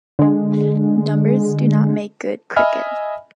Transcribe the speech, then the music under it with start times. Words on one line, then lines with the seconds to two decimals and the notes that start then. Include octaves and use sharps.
Numbers do not make good cricket.
0.19 D3 G#3
2.56 D#5 E5 G#5 B5 F6